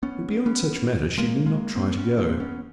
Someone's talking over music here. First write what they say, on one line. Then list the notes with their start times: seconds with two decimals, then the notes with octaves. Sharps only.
But beyond such matters she did not try to go.
0.03 B3 C#4
0.46 B3 C#4
1.18 G#3 A#3
1.46 G#3 A#3
1.75 A#3 C4
1.97 B3 C#4
2.18 A#3 C4
2.40 B3 C#4